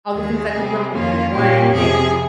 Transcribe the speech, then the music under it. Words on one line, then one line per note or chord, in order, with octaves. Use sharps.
All these things that could be wrong with you weren't a thing.
D#2 D#3 G#3 G#4
C3 G3 C4
F2 D#3 A#3 C#4 F4
A#2 G3 A#3 C#4 G4
F2 C3 F3 G#4